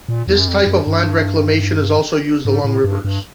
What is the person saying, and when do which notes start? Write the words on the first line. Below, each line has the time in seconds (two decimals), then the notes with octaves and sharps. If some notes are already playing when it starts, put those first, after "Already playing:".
This type of land reclamation is also used along rivers.
0.09 A#2
0.28 E2
0.39 F#2
0.48 F2
0.67 F#2
0.87 G2
2.45 G#2
2.65 A2
2.84 G2
3.05 G2